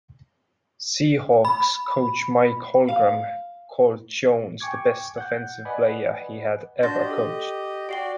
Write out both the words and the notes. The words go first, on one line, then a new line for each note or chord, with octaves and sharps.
Seahawks coach Mike Holmgren called Jones the best offensive player he had ever coached.
B5
F5
G5 G#5 C#6 D6 G#6
F#5 G6
B4 D5 D#5 F#5 G#5 B5
D4 F#4 C6 G6 A6 A#6
G4 D#5
A4
F#4 D5 G5 C7 G7